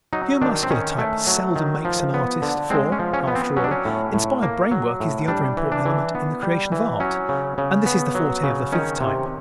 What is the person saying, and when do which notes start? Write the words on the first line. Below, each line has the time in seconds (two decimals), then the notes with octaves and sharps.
The pure Muscular type seldom makes an artist, for, after all, inspired brain work is the other important element in the creation of art, and this is the forte of the fifth type.
0.13 F#3 D#4
0.42 D#3 D4
0.63 C4
0.70 D#3 C#4
0.98 A3
1.27 F#3
1.56 D#3
1.85 F3
2.14 B3
2.42 D3
2.70 G#3 C4
2.92 C#4
2.99 F3
3.13 C#4
3.28 B3
3.35 C4
3.56 F#3 C#4
3.64 D4
3.71 C#4
3.85 A2
4.14 A2
4.43 A#3
4.71 F#3
5.00 A2
5.28 G3 D4
5.57 E3
5.72 D4
5.85 E3
6.15 B3
6.43 G3
6.72 E3
7.00 F#3 C#4
7.29 C#3
7.58 C#3
7.86 B3
8.15 F#3
8.43 C#3
8.72 D#3 C#4
9.01 C3